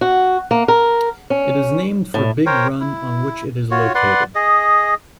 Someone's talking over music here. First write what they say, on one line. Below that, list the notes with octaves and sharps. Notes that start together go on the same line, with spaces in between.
It is named for Big Run on which it is located.
F#4
A#3
A#4
C#4
A2
A#4 C5 C#5 G5
E4
F4 F#4 C#5
B4 D5 F#5 C6
G#4 D#5